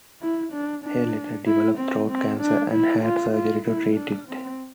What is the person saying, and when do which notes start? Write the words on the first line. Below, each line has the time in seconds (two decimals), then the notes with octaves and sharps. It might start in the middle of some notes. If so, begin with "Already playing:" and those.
Hey later developed throat cancer, and had surgery to treat it.
0.21 E4
0.53 D4
0.84 D4
1.46 E4
1.78 C4
2.09 C4
2.40 D4
2.72 E4
3.03 F4
3.34 F4
3.66 E4
3.97 D4
4.28 C4